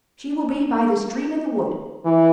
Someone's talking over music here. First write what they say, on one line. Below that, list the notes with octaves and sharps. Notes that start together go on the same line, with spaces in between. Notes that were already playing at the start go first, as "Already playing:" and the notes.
She will be by the stream in the wood.
E3